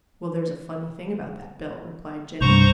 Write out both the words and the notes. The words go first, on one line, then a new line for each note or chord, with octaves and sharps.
"Well, there's a funny thing about that bill," replied Jenny.
C2 G2 C5 A#5 C#6